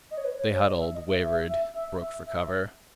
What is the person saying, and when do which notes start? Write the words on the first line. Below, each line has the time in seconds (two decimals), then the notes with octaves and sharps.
They huddled, wavered, broke for cover.
0.11 D#5
0.17 C#5
0.24 B4
0.38 C#5
0.52 C#5
0.66 D#5
0.80 E5
0.94 D#5
1.08 E5
1.22 E5
1.48 E5
1.74 E5
1.99 E5
2.26 E5